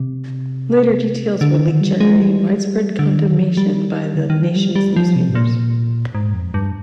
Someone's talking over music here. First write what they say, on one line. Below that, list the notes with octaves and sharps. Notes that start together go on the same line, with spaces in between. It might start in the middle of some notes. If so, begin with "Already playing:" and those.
Later, details were leaked generating widespread condemnation by the nation's newspapers.
Already playing: C3
D3
D#3
G3
G#3
G3
D3
D#3
F3
G3
D3
D#3
F3
G3
G3
F3
C3
G#2
A#2
G#2
F2
G2